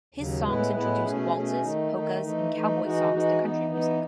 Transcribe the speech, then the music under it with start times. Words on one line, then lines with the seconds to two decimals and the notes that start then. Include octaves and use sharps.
His songs introduced waltzes, polkas, and cowboy songs to country music.
0.14 D#2 C#3 F#3
0.44 A2 G#3 B3 E4 B4
0.74 A2 G#3 B3 E4 B4
1.04 B2 A3 C#4 G#4
1.33 B2 A3 C#4 G#4
1.62 D#3 A3 D#4
1.92 D#3 A3 D#4
2.22 E3 A3 D#4
2.51 E3 A3 D#4
2.81 E3 G#3 D#4 F#4
3.10 E3 G#3 D#4 F#4
3.40 E3 B3 D#4
3.69 E3 B3 D#4